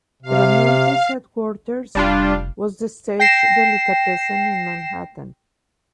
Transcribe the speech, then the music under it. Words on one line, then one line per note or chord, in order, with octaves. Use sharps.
Tramunti's headquarters was The Stage Delicatessen in Manhattan.
C3 F5
F1 G3 D4 F4
G5 A#6 C7 E7